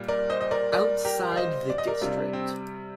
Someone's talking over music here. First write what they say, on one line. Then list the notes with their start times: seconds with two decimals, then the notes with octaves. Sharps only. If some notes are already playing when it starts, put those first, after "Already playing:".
Outside the district.
Already playing: A#2 G3
0.08 A#4 D5
0.30 C5 D#5
0.41 D#5
0.51 A#4 D5
0.72 A#4 D5
1.05 G4 A#4
1.32 F5
1.37 C5 D#5
1.70 D5
1.78 D#5
1.87 A#4 D5
2.02 C3 G3 D4 F4
2.17 D4
2.33 C4